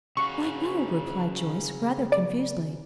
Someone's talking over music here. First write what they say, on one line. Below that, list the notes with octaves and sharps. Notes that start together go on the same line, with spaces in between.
"Why, no!" replied Joyce, rather confusedly.
C#3 F#4 F5 C#6
D5